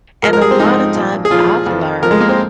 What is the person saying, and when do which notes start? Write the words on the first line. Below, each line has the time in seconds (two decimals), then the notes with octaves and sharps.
and a lotta times I've learned
0.23 G#2 A#4
0.26 F3
0.33 A#4
0.41 G#4
0.51 C4
0.59 G#2 F3 D#4
0.95 A#2 F3
1.25 G#4
1.31 A#2 F3 F4
1.66 F2 F3
2.02 F2 F3 A#4
2.11 G#3
2.20 A#3
2.29 C4